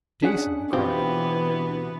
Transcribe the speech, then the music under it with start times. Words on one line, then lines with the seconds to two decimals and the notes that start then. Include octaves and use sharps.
"Jason!" he cried out.
0.22 C#4 D4 G#4 F#5
0.73 B2 E3 B3 C4 F4 G4